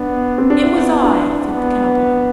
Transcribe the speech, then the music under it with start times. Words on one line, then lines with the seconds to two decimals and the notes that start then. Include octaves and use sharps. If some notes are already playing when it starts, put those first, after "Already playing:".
"It was I," said the cowboy.
Already playing: B3 D4
0.38 C4
0.50 D4
0.63 B3 E4
1.03 D4
1.43 B3